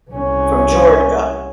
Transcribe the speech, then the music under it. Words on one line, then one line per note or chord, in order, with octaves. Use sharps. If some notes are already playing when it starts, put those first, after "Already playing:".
from Georgia.
C2 C#4